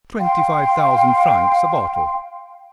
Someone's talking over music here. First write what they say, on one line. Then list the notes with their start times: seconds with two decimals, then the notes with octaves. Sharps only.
"Twenty-five thousand francs a bottle."
0.20 F5 G5 C6